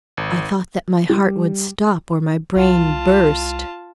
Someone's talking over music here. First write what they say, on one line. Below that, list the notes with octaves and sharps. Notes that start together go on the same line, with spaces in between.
I thought that my heart would stop or my brain burst.
G#1
G3
C2 F4 A5